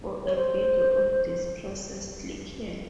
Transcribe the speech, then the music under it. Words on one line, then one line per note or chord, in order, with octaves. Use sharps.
For a video of this process click here.
C#5
C5